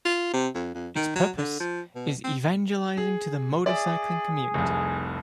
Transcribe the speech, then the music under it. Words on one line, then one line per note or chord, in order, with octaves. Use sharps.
Its purpose is evangelizing to the motorcycling community.
F4
C3
F2
F2
D#3
F#3
D3
F3
B2
C4
G#4
G#4 D5 E5
F1 C2